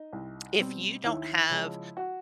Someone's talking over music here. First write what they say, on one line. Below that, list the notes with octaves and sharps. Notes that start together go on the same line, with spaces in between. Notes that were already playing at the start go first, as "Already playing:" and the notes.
If you don't have
Already playing: D#4
C2
B2 G3 C4
D#2 E4
C#3 F3 G#3
F#4